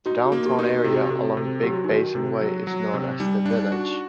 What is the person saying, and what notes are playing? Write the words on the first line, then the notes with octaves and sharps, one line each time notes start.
The downtown area along Big Basin Way is known as the Village.
D#4 F#4
F#4
A#3
G4
D#4
F#4
C3 G4
F#4
G4
C3 A4
C3 A4
F#3 G4
F#4
D#4
D#3 F#4
C3
F#3
F#3
C3
G3 D#4
D4
D#4
F#4